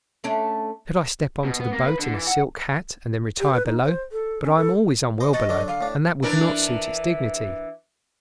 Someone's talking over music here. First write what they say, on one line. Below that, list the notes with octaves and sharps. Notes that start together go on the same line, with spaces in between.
Could I step on to the boat in a silk hat and then retire below--but I am always unwell below, and that would not suit its dignity.
A3 C#4 D4
B2
B3
A#3
B4
D3
E3
F#5
G4
B4
D#4
C5
A4
C#4
A4
C5 D#5
F#4 D#5 F#5 A5
D3 F#3 D4
D3 F5
A2 D4
E3 D4 A#4